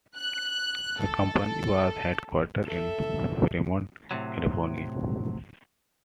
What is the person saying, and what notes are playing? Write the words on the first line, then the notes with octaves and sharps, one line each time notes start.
The company was headquartered in Fremont, California.
F#6
A4
A4 E5
A2 C3 F#3